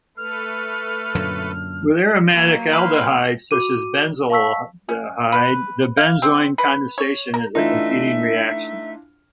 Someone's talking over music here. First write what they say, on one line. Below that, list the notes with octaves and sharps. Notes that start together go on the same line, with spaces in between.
With aromatic aldehydes such as benzaldehyde, the benzoin condensation is a competing reaction.
A3 A4 B4 F6
F#2 A#2 D3
F#3 A#3
E3 B4 C6 F6
F#4 D6 D#7
F5 A5 C#6 E6 B6
C#4
B4
F5
C4
B4
C#5
A#4
E3 A3 D4 D#4 F4 E5